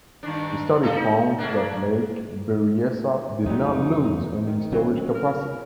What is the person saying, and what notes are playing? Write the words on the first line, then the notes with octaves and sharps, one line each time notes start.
The study found that Lake Berryessa did not lose any storage capacity.
G2 D#3 D4
A3 A4 E5
D#4
G#3 A#3 D4
F2 F#3 G3 D#4
D#3
C#3 F#3 C4
A#4